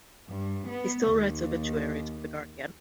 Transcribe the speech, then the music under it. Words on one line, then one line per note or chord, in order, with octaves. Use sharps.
He still writes obituaries for The Guardian.
G2
B3
D#2